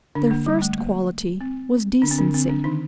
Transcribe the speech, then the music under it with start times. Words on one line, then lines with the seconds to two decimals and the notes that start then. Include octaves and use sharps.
Their first quality was decency.
0.15 D3 D4
0.31 A#3
0.46 G3
0.62 A3
0.78 A#3
1.41 C4
2.02 D3 D4
2.11 C4
2.18 D3 D4
2.34 C4
2.49 D3 D4
2.64 D#3 D#4